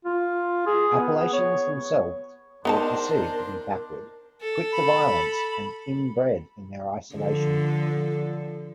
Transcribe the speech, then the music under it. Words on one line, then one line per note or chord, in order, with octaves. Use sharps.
Appalachians themselves were perceived as backward, quick to violence and inbred in their isolation.
F4
G#4
B3
C#5
B3 D4 D#4 A#4 C5 A5
A4
B5
D3 F3 A4